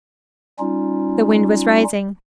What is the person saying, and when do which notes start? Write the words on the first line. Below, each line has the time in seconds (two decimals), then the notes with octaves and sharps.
The wind was rising.
0.59 G3 C#4 D#4 F4